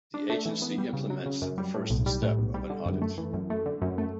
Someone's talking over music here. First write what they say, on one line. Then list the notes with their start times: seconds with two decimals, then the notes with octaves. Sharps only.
The agency implements the first step of an audit.
0.14 D4
0.30 A3
0.46 E3
0.62 B3
0.78 G3
0.93 C#3
1.10 F#3
1.26 C#3
1.42 F#2
1.58 G3
1.74 A2
1.90 B1
2.06 G3
2.22 A2
2.38 B1
2.54 G3
2.70 D3
2.86 F#2
3.02 A3
3.18 E3
3.34 F#2
3.50 A3
3.66 D3
3.82 F#2
3.98 A3